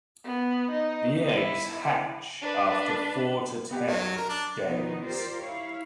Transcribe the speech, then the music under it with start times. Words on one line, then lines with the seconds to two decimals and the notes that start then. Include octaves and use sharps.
The eggs hatch after four to ten days.
0.25 B3
0.72 D#4
1.36 E4
2.42 D4 B4
3.71 B3 G4
3.88 B1 F#3
4.17 A#4
4.29 D4
4.61 B2 D#3 F3 B3 D#4
5.03 F4 G4 A#4 C5 D5
5.38 E4 C#5 F5